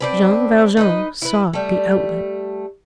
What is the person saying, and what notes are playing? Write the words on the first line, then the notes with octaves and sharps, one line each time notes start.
Jean Valjean saw the outlet.
C4 D4 B4
D#4 B4 D#5
E4 B4
G3 A3